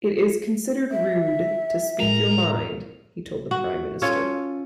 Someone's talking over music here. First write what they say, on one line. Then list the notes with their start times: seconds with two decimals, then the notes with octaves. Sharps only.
It is considered rude to speak your mind, he told the Prime Minister.
0.91 E5
2.00 A2 G#3 A#4 A#5
3.51 F#4
4.02 C#4 F4 A4 C#5